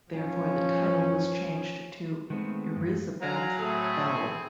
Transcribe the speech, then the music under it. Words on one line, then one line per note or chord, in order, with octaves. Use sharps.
Therefore, the title was changed to "Erizabeth L".
F3 C#4
D#3 G#3 A3 B3 C4
G2 F3
F#3 F5 G#5 A#5
A2 A3 C4 E4 G#4